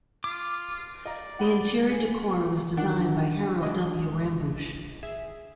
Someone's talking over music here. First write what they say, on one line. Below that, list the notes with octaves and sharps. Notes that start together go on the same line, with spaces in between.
The interior decor was designed by Harold W. Rambusch.
F4 D6
D5 D#5 F5 A#5
F#5 B5 D#6
G#5
D#3 D4 F#5
E3 G#3 D4 D#5
G#4 E5